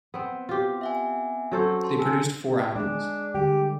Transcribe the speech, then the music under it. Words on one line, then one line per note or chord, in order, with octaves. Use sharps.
They produced four albums.
B3 C4
F4 G4
E5 F#5 G#5
F#3 C#4 A4 C5 C#6
A5 C6
G#5 E6
G#3 D4 G#4
D3 G3 G4